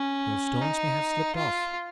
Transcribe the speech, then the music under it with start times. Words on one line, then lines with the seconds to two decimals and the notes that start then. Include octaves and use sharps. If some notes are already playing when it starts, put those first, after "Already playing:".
Those stones may have slipped off.
Already playing: C#4
0.62 D#4
1.36 F4